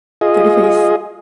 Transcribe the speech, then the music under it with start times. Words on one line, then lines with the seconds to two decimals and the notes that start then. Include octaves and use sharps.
Dirty Face!
0.21 F4 G#4 D#5